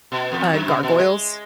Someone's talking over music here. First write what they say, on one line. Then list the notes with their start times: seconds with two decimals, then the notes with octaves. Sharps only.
uh, Gargoyles?
0.12 B2
0.32 E2
0.53 F#2
0.68 C#3
0.83 B2
0.99 G#3